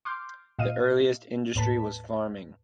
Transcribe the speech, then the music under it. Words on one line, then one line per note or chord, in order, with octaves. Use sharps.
The earliest industry was farming.
C6 D6 F6 G6
A#2 D#5 F5 D#7
D#2 A2 B4 A5 B6